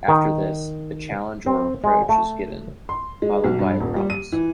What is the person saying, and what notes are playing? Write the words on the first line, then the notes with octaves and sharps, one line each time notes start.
After this, a challenge or reproach is given, followed by a promise.
D#3
C4
G#3
A3
C6
G#3
B1
G2
D#1
G3
D#7
E3